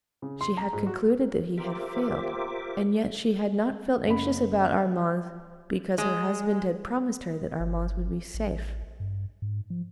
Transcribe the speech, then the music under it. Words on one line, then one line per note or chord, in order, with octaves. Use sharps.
She had concluded that he had failed, and yet, she had not felt anxious about Armand, because her husband had promised her that Armand would be safe.
C#3
C6
A#5
G#2
F#4
F4 G4 A#4 C5 E5 D6
F#1 B5
G#3
G1
A1
G2
G#2
F3